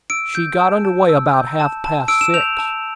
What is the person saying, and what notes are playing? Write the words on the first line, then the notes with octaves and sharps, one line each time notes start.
She got under way about half-past six.
E6 D7
G6
A5
A5
E6
G6
A5
A5
E6 D7
E7
G6 F7
A5